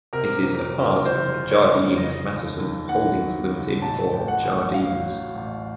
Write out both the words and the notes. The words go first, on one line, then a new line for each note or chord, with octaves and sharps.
It is a part of Jardine Matheson Holdings Limited, or Jardine's.
C3 A#4
F2
F#1
F#1 C5
F#1
C#5
F2
C#3 D#5
D#2
D#2
D#2 F#5
F#3
C#3
A1 A5
A1
F#5
A1
F#3 F5
F#3
A1